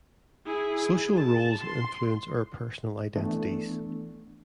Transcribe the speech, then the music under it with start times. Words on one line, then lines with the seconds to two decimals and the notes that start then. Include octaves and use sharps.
Social roles influence our personal identities.
0.46 E4 G#4
1.16 A5
1.61 C6
3.16 E3 A3 B3 D4